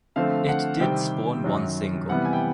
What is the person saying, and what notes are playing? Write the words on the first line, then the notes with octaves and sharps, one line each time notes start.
It did spawn one single.
D3 F3 A3 C4 F5
F#5
C3 D#3 G3 C4 G5
F#2 D#3 F#3
C3 E3 G3 B3 F#5
G#5
G5